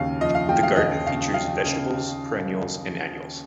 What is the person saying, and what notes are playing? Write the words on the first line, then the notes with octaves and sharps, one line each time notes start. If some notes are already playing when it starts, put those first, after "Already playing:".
The garden features vegetables, perennials and annuals.
Already playing: D#2 C#3 F5
F3 D#5
F5
D#2 G5
F5
D#2 D#5
C#3 F5
C#3 F5
C#3